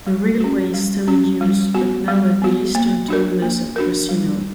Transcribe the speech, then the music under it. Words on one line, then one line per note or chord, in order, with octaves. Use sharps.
The railway is still in use, but now with the eastern terminus at Pocinho.
G3
C#4 F#4
G3
C#4 F#4
G3
B3 F#4
G3
B3 F#4
A#3
D4 F#4 A#4
A#3
D4 F#4 A#4
G3